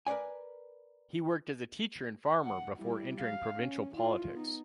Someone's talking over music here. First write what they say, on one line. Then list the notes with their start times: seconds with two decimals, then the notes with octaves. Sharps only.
He worked as a teacher and farmer before entering provincial politics.
0.07 A#4 B4 C#5 D5 G#5
2.44 F#5
2.77 G3 E4
3.21 F5
3.56 C#4
3.95 E4 F4
4.33 B3 D#4